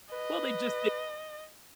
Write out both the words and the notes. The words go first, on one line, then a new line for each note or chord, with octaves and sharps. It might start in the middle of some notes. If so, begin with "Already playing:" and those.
Well, they just they
B4 D#5